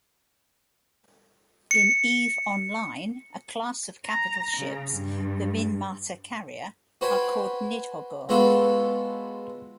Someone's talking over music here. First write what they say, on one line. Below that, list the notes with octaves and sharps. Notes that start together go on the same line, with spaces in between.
In Eve Online, a class of capital ships, the Minmatar carrier, are called Nidhoggur.
C#7
A#5
C#3
G2
F#4 B4 C5 G5 G#5
G#3 B3 F4 F#4 A4